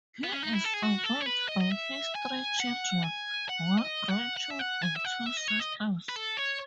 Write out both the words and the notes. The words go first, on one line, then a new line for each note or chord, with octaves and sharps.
He is survived by his three children, one grandchild, and two sisters.
B3
C#4
D#4
E4
A4
G#4
F#4
A4
C#5
B4
D#5
D#5
E5
G#5
F#5
G#5
F#5
D#5
F#5
F#5
E5
F#5
G#5
E5
F#5
E5
D#5
C#5
D#5
B4
A4
C#5